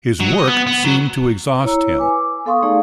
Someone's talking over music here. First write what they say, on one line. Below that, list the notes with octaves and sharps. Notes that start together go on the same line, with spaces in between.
His work seemed to exhaust him.
F#3
D#5
B3
B3
F#3
E4 C#5 A#5 E6
B4 G#5 D6
B3 A4 F5 C6 C#6 D#6
A3 D#4 G#4 D5 F5